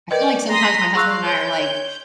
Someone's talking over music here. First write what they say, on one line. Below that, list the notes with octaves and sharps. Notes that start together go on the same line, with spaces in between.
I feel like, sometimes, my husband and I are, like,
A#4 B4 D5 D#5 G5
A#5 C6 D#6 B6
G#4 F5 C6 C#6 E6 F#6
C#5 G6
C#5